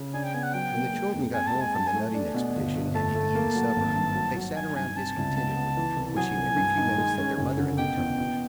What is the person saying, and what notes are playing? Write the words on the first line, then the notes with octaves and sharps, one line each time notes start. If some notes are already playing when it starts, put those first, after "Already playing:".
When the children got home from the nutting expedition and had eaten supper, they sat around discontentedly, wishing every few minutes that their mother had returned.
Already playing: C#3
D4 G#5
G5
B3 G#5
F#5
F#3 G5
A#3
G#3
F2
C4 G#5
A5
G#3
G#5
F#3 A5
G#5
A3
D4
B2
G1
G1
A3 A5
A3
A#3
F#3
G#1
G2
F#3
F#3
D#3 G#5
G2 G#5
C3 A5
C#2
B3 A5
B3
E3
C2
F#3 G#5
C2
G2
D#3
G#3
C#4
F#1
D3
B2 G5
E2
B2